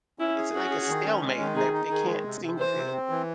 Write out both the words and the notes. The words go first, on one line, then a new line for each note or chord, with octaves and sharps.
it's like a stalemate and they've they can't seem to
C#4 E4
G#4
C#4 F#4
G#4
D#3
C#4
G#3
D#3
D#4 G#4
D#4
D#3 G#4
G#3
C3
C3
E3 C5
C3
C4
E3